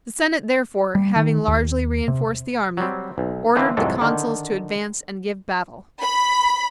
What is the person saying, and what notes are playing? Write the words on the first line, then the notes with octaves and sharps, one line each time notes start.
The senate therefore, having largely reinforced the army, ordered the consuls to advance and give battle.
G3
D#3
D#2
C3
F#3 G3 C4
B1
D3 E3 A#3 C4 B4
C2 F2 G#2 F#3 G#3 A4
D3 D#3
B5